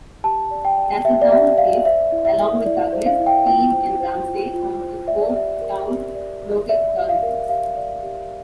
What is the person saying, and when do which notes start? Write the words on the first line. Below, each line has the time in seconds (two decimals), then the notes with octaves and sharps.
Castletown is, along with Douglas, Peel and Ramsey, one of four town local authorities.
0.24 G4 A5
0.51 D5
0.65 G5
0.77 D5
1.05 G4 E5
1.22 D5
1.32 G4 E5
1.58 D5 F5
1.85 C5 E5
2.12 E4
2.25 E5
2.40 A4
2.66 E4 D5
2.92 C5
3.06 F5
3.20 E4
3.26 G5
3.46 F4 G5
3.73 C5
4.00 C5
4.27 F4
4.54 F4
4.81 C5
5.07 D5 E5
5.21 D5
5.35 G4 E5
5.61 A#4
5.88 G4
6.15 D5
6.42 G4
6.69 D5 E5
6.96 G4
7.09 F5
7.23 A#4
7.49 G4 F5
7.76 D5
8.03 G4